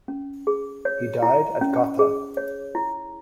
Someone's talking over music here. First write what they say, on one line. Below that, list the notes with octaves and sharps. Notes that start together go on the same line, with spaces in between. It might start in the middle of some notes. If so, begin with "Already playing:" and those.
He died at Gotha.
C#4
G#4
C#5
E4
C#4
G#4
C#5
E4